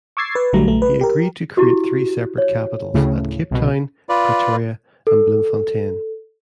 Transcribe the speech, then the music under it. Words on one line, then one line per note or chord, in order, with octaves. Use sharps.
He agreed to create three separate capitals, at Cape Town, Pretoria, and Bloemfontein.
C#6 D6 E6 G#6 A6 C7
B4
A#1 D3 F#3 G3 A3 A#5
A#1 A3
B4
G4 A#4
E4 F#4 G4
C#5
D2 A2 C#3
C2 B2
F4 B4 D5
A4